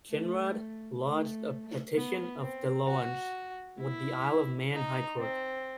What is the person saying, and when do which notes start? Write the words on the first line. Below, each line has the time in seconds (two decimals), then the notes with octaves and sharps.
Kinrade lodged a Petition of Doleance with the Isle of Man High Court.
0.11 A3
1.04 A3
1.96 B3
2.42 C4
2.88 F#4
3.81 E4
4.73 D#4
5.19 C4